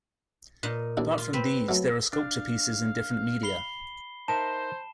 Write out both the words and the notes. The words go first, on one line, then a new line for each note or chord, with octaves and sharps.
Apart from these there are sculpture pieces in different media.
A#2 D#4
D#2 D4 E4
F4
C4 B4
F#3 A3
D4 F5
B5 C7 G7
D#4 A#4 C5 E5 A5 E7